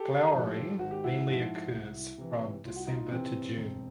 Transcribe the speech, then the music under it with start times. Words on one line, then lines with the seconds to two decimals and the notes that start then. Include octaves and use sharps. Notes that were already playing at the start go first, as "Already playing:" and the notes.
Flowering mainly occurs from December to June.
Already playing: G4 A4
0.33 G#2 F3
0.79 G#1 F#4
0.91 G4
1.04 E4 F#4
1.26 G#2 F3
1.72 C2
2.18 C3 E3
2.65 C2 F4
2.76 F#4
2.87 D#4 F4
3.11 C3 E3 C4
3.58 E1